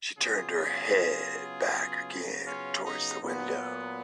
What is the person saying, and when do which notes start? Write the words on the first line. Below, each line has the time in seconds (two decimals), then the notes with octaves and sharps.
She turned her head back again towards the window.
0.17 C#3 F#3 B3 F4 G#4
2.45 C#4 F4
2.84 D#4
3.21 A#2 F#3 B3